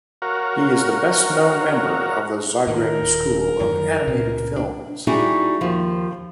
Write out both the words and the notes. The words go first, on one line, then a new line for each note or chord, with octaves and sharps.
He is the best known member of the Zagreb school of animated films.
F#4 A#4 C#5 F5
A2 D#3 A#4
D#1
F#2 D3 D#3
C#2 A#2 C#3
D4
G3 D#4 E4 F#4 G#4
D#2 F3